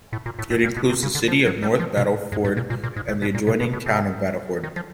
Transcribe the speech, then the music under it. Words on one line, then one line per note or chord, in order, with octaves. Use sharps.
It includes the city of North Battleford and the adjoining town of Battleford.
A2
A#2
A2
A2
A#2
B2
C3
C#3
D3
F3
F#3
G3
F3
B2
G#2
A2
A#2
A#2
A#2
G#2
A2
B2
A#2
B2
B2
B2
C3
D#3
F3